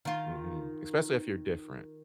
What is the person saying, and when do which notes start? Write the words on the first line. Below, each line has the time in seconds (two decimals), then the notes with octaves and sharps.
Mhm. Especially if you're different.
0.05 D#3 F4